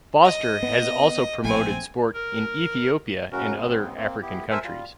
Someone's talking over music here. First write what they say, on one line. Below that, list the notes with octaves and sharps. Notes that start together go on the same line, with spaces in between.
Foster has also promoted sport in Ethiopia and other African countries.
D#5
B3
A#1 A3 C4 G#5
A#4
F#2 A2 C#3 C#4 F#4 A#4
D#2 G#2 C#3 B3 C4
A#3 C4
B3 E4 G4
A4 A#4 C5 E5 G#5 E6
G3 F4